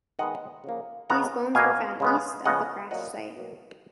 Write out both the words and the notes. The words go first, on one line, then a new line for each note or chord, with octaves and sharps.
These bones were found east of the crash site.
D#3 G#3 B3 D#5 F#5
C#3 F3 A#3
C#3 G#3 B3 F#5 A#5
B2 A#3 F5 G#5
C#3 G#3 B3
C#3 F3 G#3 B3 D#5 F#5
A#2 F#3 A#3 D#5 F#5
B2 F#3 A#3